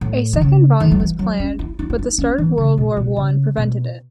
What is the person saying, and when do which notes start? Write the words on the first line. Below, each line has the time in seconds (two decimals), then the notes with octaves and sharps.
A second volume was planned, but the start of World War One prevented it.
0.01 A2
0.33 D#3
0.41 C#3
0.80 D#3
0.91 F#3
1.00 E3
1.19 F#3
1.39 C#4
1.59 E4
1.79 D#4
1.90 E4
1.99 D#4
2.18 C#4
2.38 E3
2.58 C#3
2.78 B2
2.97 B2
3.16 C#3
3.57 B2